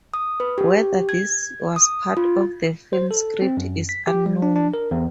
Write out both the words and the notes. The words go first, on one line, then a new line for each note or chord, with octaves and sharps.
Whether this was part of the film's script is unknown.
D#6
B4
G4
G#6
D#6
F4
C5
A4
C4
F#2
B6
G4
G3
D4
D4
A#4
E2